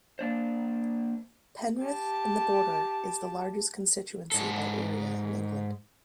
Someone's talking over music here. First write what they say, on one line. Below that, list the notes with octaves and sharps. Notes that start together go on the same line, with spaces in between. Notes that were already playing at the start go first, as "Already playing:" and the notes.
Penrith and The Border is the largest constituency by area in England.
A#3 D4 C5
G4 A5
G#2 A4